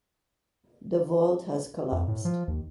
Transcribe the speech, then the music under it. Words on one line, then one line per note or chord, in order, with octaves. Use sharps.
The vault has collapsed.
F2
A2
F3
D#2